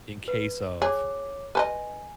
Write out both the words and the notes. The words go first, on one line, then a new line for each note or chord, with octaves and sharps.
in case of
B4
G#4 C#5 D6
B4 C5 D#5 G#5